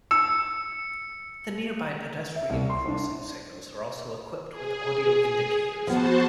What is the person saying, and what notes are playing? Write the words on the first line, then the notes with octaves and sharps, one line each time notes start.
The nearby pedestrian crossing signals are also equipped with audio indicators.
E6 C#7
E5
C2
C6
D4
G#4
F3 B3 F#4 C5 A5